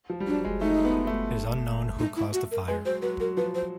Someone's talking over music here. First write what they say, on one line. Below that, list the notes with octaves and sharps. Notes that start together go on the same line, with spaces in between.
It is unknown who caused the fire.
F3
G3
F#3 D4
G#3
A3 D#4
B3
A3
D#4
E4
F#4
A#4
G#3 B4
F#3 C5
F#3 B4
F#3 A#4
F3 B4
C5